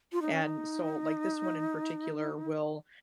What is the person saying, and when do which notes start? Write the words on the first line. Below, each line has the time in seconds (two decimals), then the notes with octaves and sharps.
and so, like, this one in particular, will
0.12 F4
0.22 D#4
0.32 C#4
0.42 D#4